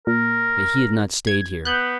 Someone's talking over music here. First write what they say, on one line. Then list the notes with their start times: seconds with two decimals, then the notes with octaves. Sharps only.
But he had not stayed here.
0.07 A#2 A#4
1.27 G#6
1.65 B3 F#6 G6